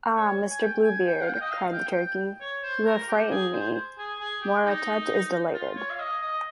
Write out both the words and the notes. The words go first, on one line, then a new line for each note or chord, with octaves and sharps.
Ah, Mr. Blue Beard," cried the Turkey, "you have frightened me! Mouratet is delighted.
C#5
G#5
G5
G#5
G5
F5
G5
D#5
F5
G5
G5
C#5
C5
A#4
G4
G#4
C5
G#4
G#4
G4
D#4
F4
C#5
F5
D#5
D#5